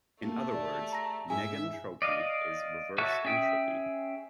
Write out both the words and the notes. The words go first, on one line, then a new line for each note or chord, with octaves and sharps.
In other words, negentropy is reverse entropy.
A3 A#3 G4
G4 G#4 D5
A#5 A#6
G#2 E4 G#4 E5 G#5
D5 D#5 F5
F#4 A4 C#5 E5 C#6
C#4 G#4 E5 G5